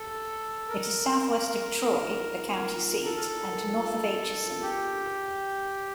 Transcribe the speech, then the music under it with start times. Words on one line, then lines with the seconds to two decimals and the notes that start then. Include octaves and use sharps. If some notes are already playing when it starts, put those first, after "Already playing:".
It is southwest of Troy, the county seat, and north of Atchison.
Already playing: A4
0.69 A#4
3.05 A4
4.62 G4